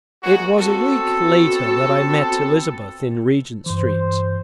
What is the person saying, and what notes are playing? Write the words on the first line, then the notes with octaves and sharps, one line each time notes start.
It was a week later that I met Elizabeth in Regent Street.
G#3 A#3 F#4
B3 C4 F#4 A4
G2 E3 C5